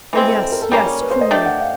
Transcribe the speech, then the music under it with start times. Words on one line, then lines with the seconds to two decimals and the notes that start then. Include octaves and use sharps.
"Oh, yes, yes, cruelly!"
0.13 E3 G#3 C4
0.28 A4
0.42 A4
0.52 A#4
0.62 A4
0.72 G3 A#3 C#4 A#4
0.86 A#4
1.01 B4
1.11 C5
1.21 D#5
1.31 A3 D4 G4
1.45 F#5
1.61 F5